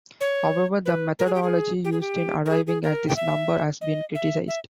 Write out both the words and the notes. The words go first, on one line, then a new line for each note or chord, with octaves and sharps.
However, the methodology used in arriving at this number has been criticized.
C#5
B4
A#4
G#4
G4
G#4
G4
G#4
G4
A#4
G#4
G#4
A#4
G5
E5
D#5
E5
E5